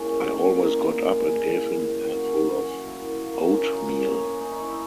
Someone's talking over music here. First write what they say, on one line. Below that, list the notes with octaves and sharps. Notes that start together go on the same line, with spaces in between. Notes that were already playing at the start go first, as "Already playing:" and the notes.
I always got up and gave him a handful of oatmeal.
Already playing: A#2 G#3 C#4 E4
B3
A#2
E4
A#2 D#4
A#2
A#2
G#3
A#2 E4
A#2
E3
F#2
A#3 F#4
E3
F#2
E3
A#3 E4
F#2
A#3
C#4
A#3 D#4
E3
C#4
C#4
C#4 D#4
E4
C#4 D#4
E4